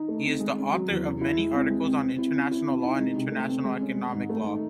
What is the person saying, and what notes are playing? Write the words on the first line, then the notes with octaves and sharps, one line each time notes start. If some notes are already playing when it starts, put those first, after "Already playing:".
He is the author of many articles on International Law and International Economic Law.
Already playing: D#4
A3
C4
G#3
C#4
F#3
E2
C#4
E4
G#3
C4
G#3
C4
C4
E4
C#4
E4
C4
D#4
G#3
C3
A3
C4
G#3
C#4
G#3
G#2
A3
D#4